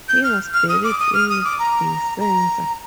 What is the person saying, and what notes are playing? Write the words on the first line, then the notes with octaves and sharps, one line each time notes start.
He was buried in Vicenza.
G6
F6
F6
D#6
D6
D#6
F6
D#6
D6
A#5
A#5